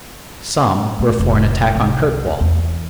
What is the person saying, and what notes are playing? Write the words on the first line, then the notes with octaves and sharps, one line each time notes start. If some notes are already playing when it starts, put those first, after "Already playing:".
Some were for an attack on Kirkwall.
A3
F1
C2
E2